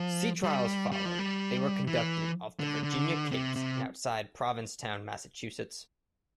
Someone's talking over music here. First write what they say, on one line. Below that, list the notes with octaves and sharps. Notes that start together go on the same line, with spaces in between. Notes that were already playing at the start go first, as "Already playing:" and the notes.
Sea trials followed; they were conducted off the Virginia Capes and outside Provincetown, Massachusetts.
Already playing: F3
G3
G3
F3
G3
E3
D3
D3
C3
C3